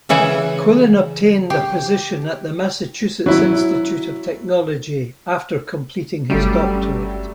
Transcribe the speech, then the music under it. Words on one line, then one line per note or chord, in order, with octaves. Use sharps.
Quillen obtained a position at the Massachusetts Institute of Technology after completing his doctorate.
C#3 E3 E5 F#5 G#5
G4
F#3 E4
G1 F#3 G3 A3 C#4